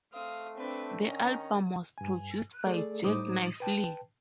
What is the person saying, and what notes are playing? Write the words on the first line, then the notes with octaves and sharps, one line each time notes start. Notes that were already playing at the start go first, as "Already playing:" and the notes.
The album was produced by Jacknife Lee.
A3 C4 F5 D#6
C4 D4 B4
D#3 C#4 A#5
G2 G#5
A3 G#4 A4 D5
A2 G3 D#4 C5 D6 D#6
B4 G5 A5